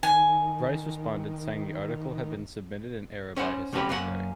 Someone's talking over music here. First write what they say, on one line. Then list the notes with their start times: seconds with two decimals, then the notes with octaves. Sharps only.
Bryce responded saying the article had been submitted in error by his secretary.
0.03 D#3 G#5
3.36 C#4 C5 C#5 F#5
3.73 C3 A3 C#4 F#4 G4 B4
3.89 F#2 A#3 C#4 A4 F#5